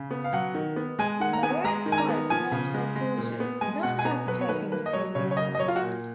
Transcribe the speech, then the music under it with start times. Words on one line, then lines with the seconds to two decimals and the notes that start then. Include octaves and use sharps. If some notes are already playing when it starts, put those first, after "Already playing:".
Marek fights multiple soldiers, not hesitating to take their lives.
Already playing: C#3
0.11 B3
0.24 F5
0.33 F#3 F#5
0.55 D#3
0.76 B3
0.99 G#3 G#5
1.20 D#3 F#5
1.33 A#5
1.43 B3 G#5
1.64 G#3 A#5
1.86 D#3
1.92 G#5
1.98 A#5
2.09 B3
2.30 F3 G#5
2.52 C#3
2.74 G#3
2.96 G#3
3.17 A#2
3.40 B3
3.61 G#3 G#5
3.83 B2 F#5
3.99 G#5
4.05 B3 A#5
4.27 F#3 B4
4.41 C#5
4.49 D#3 B4
4.72 A#3 B4
4.86 D#5
4.93 F#3 C#5
5.15 C#3 C#5
5.31 C#5
5.37 A#3 D#5
5.55 D#5
5.59 F#3 C#5
5.68 F4
5.76 F#4
5.81 A#2